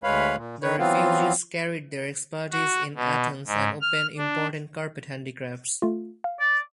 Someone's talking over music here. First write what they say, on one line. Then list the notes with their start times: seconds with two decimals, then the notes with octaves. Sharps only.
The refugees carried their expertise in Athens and opened important carpet handicrafts.
0.04 D2 G#3 B4 C#5 F5 B5
0.36 A#2
0.63 D#3 B4 C#5
0.79 E3 F#3 B3 C4 F4
2.51 F#4
2.95 B2
3.47 G#2
3.81 F6
4.17 D4
5.82 A3 F4
6.24 F5
6.40 D5